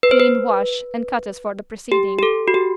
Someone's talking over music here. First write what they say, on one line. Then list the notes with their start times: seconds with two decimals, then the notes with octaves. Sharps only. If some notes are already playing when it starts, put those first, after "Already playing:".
Clean, wash and cut as for the preceding.
0.03 B4
0.11 C5
0.20 B4
1.92 G4
2.19 G4
2.23 A4
2.48 F#4
2.54 G4